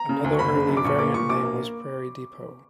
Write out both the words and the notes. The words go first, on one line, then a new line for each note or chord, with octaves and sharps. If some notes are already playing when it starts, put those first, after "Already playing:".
Another early variant name was Prairie Depot.
Already playing: A#5
C#3
D2
C#6
F#1 B5
D3
F#2
D6
A#1 C#6
A#3 D6
A#2 C#6
A#1 D6
A#3